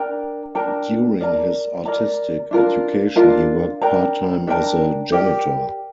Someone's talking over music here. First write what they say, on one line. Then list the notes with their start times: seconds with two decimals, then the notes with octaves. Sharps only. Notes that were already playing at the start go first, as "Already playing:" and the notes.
During his artistic education, he worked part-time as a janitor.
Already playing: D4 A#4 G5 A#5
0.55 D4 A#4 G5 A#5
1.21 A#4 D5 A#5
1.85 A#4 D5 A#5
2.51 D4 F4 A#4
3.16 D4 F4 A#4
3.81 D4 A#4 G5 A#5
4.47 D4 A#4 G5 A#5
5.12 G4 A#4 D5 G5